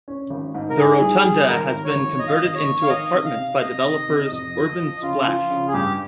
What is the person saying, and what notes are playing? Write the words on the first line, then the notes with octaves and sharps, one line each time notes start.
The Rotunda has been converted into apartments by developers Urban Splash.
C#4
G#1
G#2
A#4
G#2 G#4
G3
G3
G#1 A#4
G#1
C#5
G#1
G#1 D#5
F5
D#5
G#1
D#5
C#5
G#1
F5
D#3 D#5
C3
F5
C3
C3 D#5
D#3
C3
F2 D#5
F3
F3
C#3 F4
F3
C#3
G#4
G2 G4